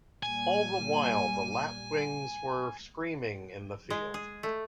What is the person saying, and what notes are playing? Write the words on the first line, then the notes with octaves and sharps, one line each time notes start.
All the while the lapwings were screaming in the field.
A#2 G3 G#5
G#3
G#4
A3